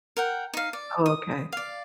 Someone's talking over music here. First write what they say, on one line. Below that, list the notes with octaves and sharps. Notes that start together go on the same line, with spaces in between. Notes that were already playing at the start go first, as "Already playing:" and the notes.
Oh okay.
A#4 F#5 G5
D#4 F5
D5
D#6
D5 F5